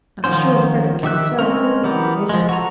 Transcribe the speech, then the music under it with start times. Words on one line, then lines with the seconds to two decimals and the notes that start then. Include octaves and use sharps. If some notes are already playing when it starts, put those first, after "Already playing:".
I'm sure Frederick himself, would run the risk.'
0.24 D#3 F3 F#3 C#4 C5
1.03 D#3 G4 E5 F#6
1.39 G#3 C4 C#4 A#4
1.84 E3 B3 G4 A#4
2.29 F3 G#3
2.49 F#4 A4 A#5